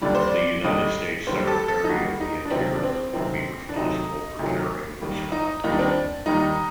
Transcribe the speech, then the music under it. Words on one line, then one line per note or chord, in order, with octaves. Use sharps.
The United States Secretary of the Interior would be responsible for carrying this out.
D#2 D3 G3 D5
C5
D5
D#2 D3 G3 D#5
D#2 D3 G3 C5
G4
A4
A4
D#4
D#2 D3 G3 F#4
D#4
D4
D2 C3 D#3 F#3 C4
D4
C4
D2 C3 D#3 F#3 C4
D4
D2 C3 D#3 F#3 D#4
D2 C3 D#3 F#3
D#2 D#3 G3
D#4
D#2 D#3 G3 D#4
D4
C4
D4
D#2 D#3 G3 D#4